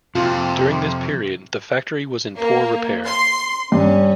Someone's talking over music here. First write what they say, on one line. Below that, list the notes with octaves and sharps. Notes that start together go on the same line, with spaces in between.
During this period, the factory was in poor repair.
F2 C3 F4
A#3
C6
G2 C#4